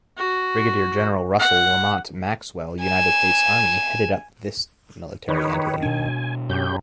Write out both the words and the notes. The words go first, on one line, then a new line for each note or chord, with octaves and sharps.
Brigadier General Russell Lamont Maxwell, United States Army, headed up this military entity.
F#4
F#5
G#5 E7
D#3 D#4 B4 C#5
B2 D4 G#5
F#2 C#4 G4 G6